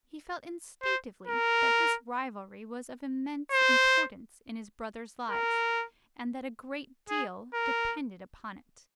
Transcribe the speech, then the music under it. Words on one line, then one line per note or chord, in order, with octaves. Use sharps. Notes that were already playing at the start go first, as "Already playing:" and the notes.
He felt instinctively that this rivalry was of immense importance in his brothers' lives and that a great deal depended upon it.
C5
A#4
C5
A#4
G#4
A#4